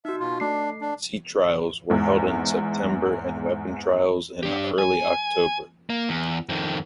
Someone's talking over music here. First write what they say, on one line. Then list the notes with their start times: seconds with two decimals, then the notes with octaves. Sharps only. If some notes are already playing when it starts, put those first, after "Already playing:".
Sea trials were held in September and weapons trials in early October.
0.05 D#4 F#4 E5
0.20 B2 F4
0.40 A3 D4 C7
0.81 D4
1.90 E2 G#2
4.43 D4 G4
4.78 G#5
5.90 A#3
6.09 E2
6.49 F2 D#3